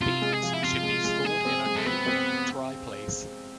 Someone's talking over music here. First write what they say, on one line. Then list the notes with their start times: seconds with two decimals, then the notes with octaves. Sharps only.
Beans should be stored in a cool, dry place.
0.01 C3 F4
0.22 G#3
0.33 G#4
0.43 F3
0.53 E4
0.63 C3 F4
0.83 G#3
1.04 G#3
1.25 G#3 G#4
1.45 C4
1.66 G#3
1.76 A3
1.86 B3 C4
2.06 C4